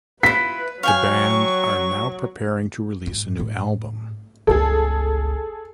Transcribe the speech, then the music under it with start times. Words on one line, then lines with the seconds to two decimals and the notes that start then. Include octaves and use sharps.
The band are now preparing to release a new album.
0.23 E4 F4 B4 B6
0.83 F#3 F5 G5 G#5 C#6
3.07 G#2
3.39 A2
4.47 G1 C#2 G#4 A4